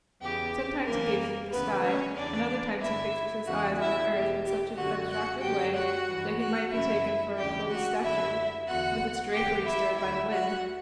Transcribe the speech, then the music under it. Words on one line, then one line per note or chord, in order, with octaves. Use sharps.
Sometimes he gazes at the sky, at other times he fixes his eyes on the earth in such an abstracted way that he might be taken for a clothed statue, with its drapery stirred by the wind.
E2 C#3 E3 G4
F#2 C#3 E3 A#3 A#4
D2 C#3 E3 B3 B4
C#4 C#5
E2 C#3 E3 D4 D5
G2 D3 E4 E5
E2 C#3 E3 F#4 F#5
E4 E5
E2 B2 G4
G4
F#2 D3 F#4 F#5
F#4 F#5
F#2 D3 G4 G5
F#4 F#5
G2 E3
F#4 F#5
F#2 C#3 E3 E4 E5
D2 C#3 E3 G4 G5
F#4 F#5
F#2 D3 E4 E5
E2 D3 F#4 F#5
E2 D3 G4 G5
E4 E5
D2 D3 E4 E5
F#4 F#5